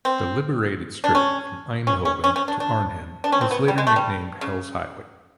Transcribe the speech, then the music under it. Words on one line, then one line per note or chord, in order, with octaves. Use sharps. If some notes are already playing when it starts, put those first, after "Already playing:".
The liberated strip from Eindhoven to Arnhem was later nicknamed Hell's Highway.
C4
D4
C#4
C#4
C#4
C#4
C#4
D4
D4
D4
C#4
C4
B3
G3
G#3
A3
G3
C#3